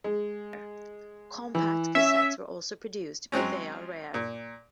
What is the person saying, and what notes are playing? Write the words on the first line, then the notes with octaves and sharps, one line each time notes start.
Compact cassettes were also produced, but they are rare.
G#3
E3
C#4 E5
F#3 G#3 C4 C#4
A#2